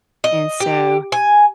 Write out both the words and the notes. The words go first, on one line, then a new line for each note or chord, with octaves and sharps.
And so,
D#5
G4
G#5